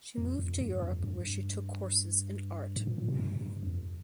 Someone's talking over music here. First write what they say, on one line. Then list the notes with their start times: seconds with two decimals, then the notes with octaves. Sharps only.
She moved to Europe where she took courses in art.
0.18 F2
0.39 F2
0.61 G2
0.82 F2
1.04 G2
2.76 G#2
2.87 A#2
2.98 A#2
3.08 C3
3.20 G2
3.41 G2
3.63 F2